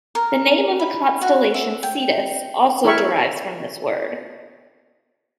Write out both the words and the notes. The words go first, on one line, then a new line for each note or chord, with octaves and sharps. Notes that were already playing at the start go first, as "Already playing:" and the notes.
The name of the constellation Cetus also derives from this word.
A#4
B5
F#4
E5
G5
E4 A#4 C#5 E5 G5 C#6